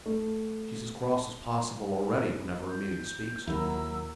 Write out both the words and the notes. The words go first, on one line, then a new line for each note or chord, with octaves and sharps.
She's as cross as possible already whenever Amelia speaks to me.
A3
G6
D#2 F#3 E4 A#4 E6